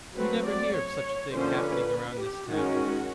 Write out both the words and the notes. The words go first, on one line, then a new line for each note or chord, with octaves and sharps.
You never hear of such a thing happening around this town.
F#3 A3 C4 B4
D5
C#5
D3 F3 A#3 C#4 C5
B4
G4
D#3 G#3 C#4 F#4